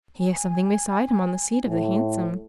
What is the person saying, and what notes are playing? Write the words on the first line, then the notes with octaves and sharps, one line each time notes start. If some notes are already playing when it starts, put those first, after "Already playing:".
"He has something beside him on the seat of the hansom."
G#5
A2